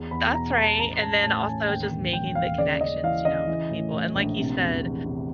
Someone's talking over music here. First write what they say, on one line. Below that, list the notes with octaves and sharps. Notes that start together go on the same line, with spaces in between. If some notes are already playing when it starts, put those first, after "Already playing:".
That's right, and then also just making the connections, you know, with people, and like you said,
Already playing: E2
E2 B5
B2 A#5
E2 A5
A1 A#5
A1 A5
A2 A5
A1 G#5
D#2 G5
E1
E1 G5
D#2 F5
C#3 D5
C#3 D#5
E3 F5
C#3 D#5
E3
A2
A2
A#1
C3
E2
E2
C3